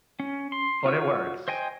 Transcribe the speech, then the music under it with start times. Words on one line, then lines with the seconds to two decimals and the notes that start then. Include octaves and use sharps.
but it works.
0.20 C#4
0.52 C6
0.86 F4 F#4 C#5
1.48 C5 D#5 G5 G#5